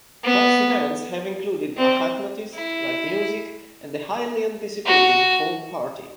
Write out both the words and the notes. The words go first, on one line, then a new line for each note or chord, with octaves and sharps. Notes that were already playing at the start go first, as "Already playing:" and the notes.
Past events have included a hypnotist, live music, and the highly anticipated foam party.
B3
C4
E4
F#4